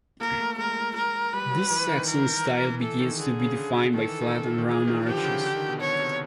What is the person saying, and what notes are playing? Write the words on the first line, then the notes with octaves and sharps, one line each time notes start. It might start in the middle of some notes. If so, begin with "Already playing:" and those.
This Saxon style begins to be defined by flat and round arches.
A#3 A#4
A3
G#3 A#4
A#4
G3 B4
F#3
E3
D#3
A#4
E3
E3
E3 A4
D#3
D3 G#4
C#3
C#3
D3
D#3 A4
E3
D#3
D#3
E3 G#4
D#3
F3 G4
D3
C#3
D3
D#3
B2
B2 C#5
C3